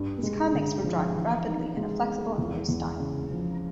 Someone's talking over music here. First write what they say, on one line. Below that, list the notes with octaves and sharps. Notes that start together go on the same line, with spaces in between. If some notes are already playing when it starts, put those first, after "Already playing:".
His comics were drawn rapidly in a "flexible and loose" style.
Already playing: G2
G#3
D3
F3
E3
D#4
G#3
B3
E2
E2
C#3
F3